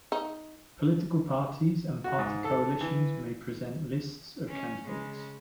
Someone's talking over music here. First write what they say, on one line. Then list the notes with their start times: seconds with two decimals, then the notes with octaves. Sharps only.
Political parties and party coalitions may present lists of candidates.
0.12 D#4
2.04 F#4
2.19 G#2
2.44 A4
2.81 E3
4.47 C#4
4.85 C#3 G#3